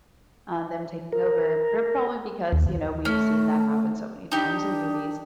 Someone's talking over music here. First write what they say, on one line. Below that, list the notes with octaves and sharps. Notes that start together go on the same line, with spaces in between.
um, them taking over, pro probably because, you know, we've seen that happen so many times in movies.
A#4
D#2
A3 C#4
D4 D#4 G4